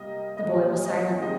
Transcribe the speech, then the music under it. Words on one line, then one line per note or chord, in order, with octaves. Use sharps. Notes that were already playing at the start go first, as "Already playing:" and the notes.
The boy was silent.
Already playing: C3 G3 A#3 D#5
D#5
A#2 G3 A#3 C#5
D#5
D#3 G#3 C4 D#5